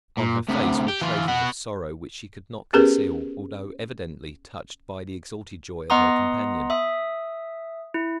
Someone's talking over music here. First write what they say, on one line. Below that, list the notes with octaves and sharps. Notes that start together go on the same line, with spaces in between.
On her face were traces of sorrow which she could not conceal, although evidently touched by the exalted joy of her companion.
A#2
D2 C3
G4
E3 F4
B3 F#4
B3 C#4 G4 G#4 A#4 B4
B3 D#5 F#5 A#5 C6 D#6
E5 D#6
E4